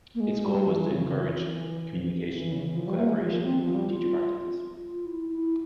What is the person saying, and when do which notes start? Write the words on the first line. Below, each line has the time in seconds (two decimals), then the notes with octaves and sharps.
Its goal was to encourage communication, collaboration, and improve teacher practices.
0.15 A#3
0.20 G#3
0.44 G3
0.66 E3
0.89 C#3
1.12 E3
2.28 E3
2.52 C#3
2.63 E3
2.75 F3
2.87 G3
2.97 A#3
3.09 G#3
3.20 F3
3.33 F3
3.44 C4
3.60 F3
3.74 G3
3.90 F4
4.83 F4
5.06 E4
5.29 E4